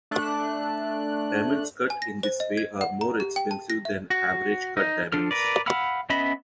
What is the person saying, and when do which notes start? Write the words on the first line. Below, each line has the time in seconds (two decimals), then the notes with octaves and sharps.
Diamonds cut in this way are more expensive than average cut diamonds.
0.11 A3 D4 F#6
1.90 G#5
2.02 A#6
2.23 C5
2.40 D#5
2.57 G#6
2.81 F#5
3.01 A#5
3.20 G4
3.36 G5
3.51 A5
3.70 A#6
3.85 E5
4.10 F#4
4.77 D#4
5.12 F3 D4 A4 F6
5.31 A#4 B4 D5
5.66 F5 F#5 B5 E6 F6
6.10 B3 C#4 D#5 E5 B5